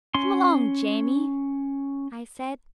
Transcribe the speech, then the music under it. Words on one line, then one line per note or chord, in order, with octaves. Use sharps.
"Come along, Jamie," I said.
C#4 C6